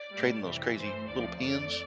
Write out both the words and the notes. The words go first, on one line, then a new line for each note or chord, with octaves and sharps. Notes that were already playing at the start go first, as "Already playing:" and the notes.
trading those crazy little pins.
Already playing: D5
A2 G3
F2 C3 E3 G3
G2 E3 A3 C5
D2 C3 F3 D5
F2 E3 A3 D5